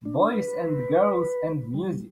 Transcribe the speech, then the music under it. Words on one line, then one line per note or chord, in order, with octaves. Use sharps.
Boys and girls and music.
D4
B4
G3